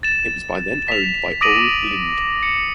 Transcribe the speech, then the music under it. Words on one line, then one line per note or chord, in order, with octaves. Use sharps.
It was by then owned by Ole Lind.
A6 E7
B6 F7
D6 D#6 A#6 D7 D#7 F#7
C#7